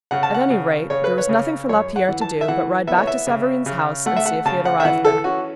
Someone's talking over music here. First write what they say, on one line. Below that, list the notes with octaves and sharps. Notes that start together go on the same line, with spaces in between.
At any rate, there was nothing for Lapierre to do but ride back to Savareen's house and see if he had arrived there.
C#3 F#5
A5
F#5
C#3
C#3 C#5
B4
C#5
C#3
F#2 C#5
F#5
E3
A5
E5
E3 F#5
B3 E5
C#5
E5
C#3
C#3
A3 F#5
E5
F#5
C#3 A5
F#5
E5
E3 F#5
A4
C#4 F#4